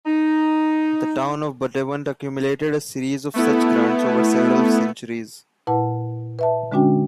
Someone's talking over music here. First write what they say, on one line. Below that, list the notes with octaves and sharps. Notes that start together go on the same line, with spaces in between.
The town of Buttevant accumulated a series of such grants over several centuries.
D#4
A3 B3 E4
A#2 E4 B4 F#5 A5
B4 E5 A5
D3 G#3 C#4 D4 F#4 G5